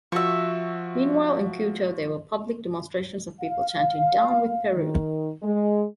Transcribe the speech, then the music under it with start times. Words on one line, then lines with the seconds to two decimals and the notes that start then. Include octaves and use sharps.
Meanwhile, in Quito, there were public demonstrations of people chanting Down With Peru!
0.12 F3 F#4 E5 C#6
3.41 F5
4.75 D#3
5.43 G#3